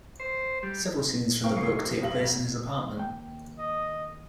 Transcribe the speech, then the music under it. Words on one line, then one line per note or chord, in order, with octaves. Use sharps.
Several scenes from the book take place in his apartment.
C5
G3
C4 A#4 F5 G5 C#6
C#2 G#2 C#6 C7 C#7
C3 D#3 A3
F3 G4
F2 C3 G3 F5 A#6 F#7
G#1
D#2 G5
D#5